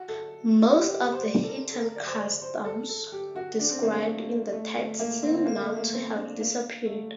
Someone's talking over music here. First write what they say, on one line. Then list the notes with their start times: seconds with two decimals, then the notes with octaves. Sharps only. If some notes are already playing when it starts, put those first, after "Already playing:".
Most of the heathen customs described in the text seem now to have disappeared.
Already playing: F#4
0.08 A4
0.69 F#4
0.78 G4
0.91 G4
1.02 G4
1.13 C5
1.25 D5
1.43 A4
1.48 A#4
1.72 A4
1.84 A#4
1.96 D5
2.07 C5
2.19 D5
2.42 C5
2.65 A4
2.89 A4
3.12 G4
3.35 F#4
3.59 D4
3.71 C4
3.83 A#3
3.93 A3
4.52 A3
4.76 A3
4.99 A#3
5.23 C4
5.34 C4
5.46 A#3
5.56 A#3
5.61 A3
5.77 A#3
5.93 C4
6.16 D4
6.40 A#3
6.86 A3